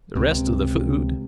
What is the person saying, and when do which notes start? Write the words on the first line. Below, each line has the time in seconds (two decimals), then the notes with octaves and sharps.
"The rest of the food?"
0.15 C#2 C3